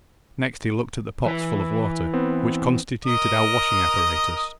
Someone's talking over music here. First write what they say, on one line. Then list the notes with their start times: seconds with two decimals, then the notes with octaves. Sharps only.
Next he looked at the pots full of water, which constituted our washing apparatus.
1.25 E3 E4 B4
2.13 B3 C4
3.05 A#4 D#5 D#6